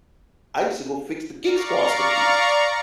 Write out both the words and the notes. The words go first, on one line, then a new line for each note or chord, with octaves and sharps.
I used to go fix the Geek Squad's computers.
D5 F5 A#5 C#6